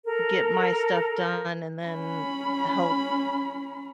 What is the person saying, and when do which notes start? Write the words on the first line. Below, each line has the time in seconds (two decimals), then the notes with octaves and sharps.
get my stuff done and then help
0.06 A4 A#4
1.85 C#4 B5